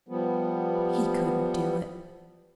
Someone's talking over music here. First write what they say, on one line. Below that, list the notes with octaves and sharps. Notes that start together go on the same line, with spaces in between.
He couldn't do it.
F3 G3 B3